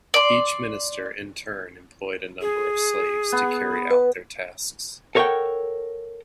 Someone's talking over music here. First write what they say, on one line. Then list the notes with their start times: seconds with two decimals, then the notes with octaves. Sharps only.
Each minister in turn employed a number of slaves to carry out their tasks.
0.14 D5 C6
2.41 G#4
3.32 B3
3.91 B4
5.15 A4 A#4 C#5 D#5 F#5 G5